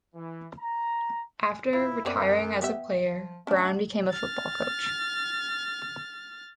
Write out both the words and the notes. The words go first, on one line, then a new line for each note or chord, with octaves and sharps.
After retiring as a player, Brown became a football coach.
E3
A#5
E4 F4
F#2 B3 C4 D5
B3 G4 E5
F3
A3 C#4 D4
F6 A6